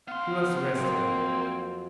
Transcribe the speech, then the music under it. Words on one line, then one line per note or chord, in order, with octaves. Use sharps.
He was resting.
B3 F5 C6
F2 F3 F#3 A#3 C4